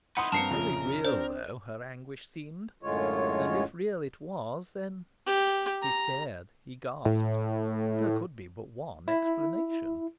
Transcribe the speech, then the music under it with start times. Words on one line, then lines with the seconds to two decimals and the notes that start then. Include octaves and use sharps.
Very real, though, her anguish seemed; and, if real it was, then--he stared, he gasped--there could be but one explanation.
0.17 D#4 E4 B4 F#5 B5 C6 D#6
0.32 G2 A#3 C4 A#4 A5 C7 C#7
0.50 A#1 F2 C#3
1.05 C4 D4 C5
2.83 F#2 A2 D3 G#3 F4 C#5
5.26 G4
5.82 A#5
7.05 A2
9.08 E4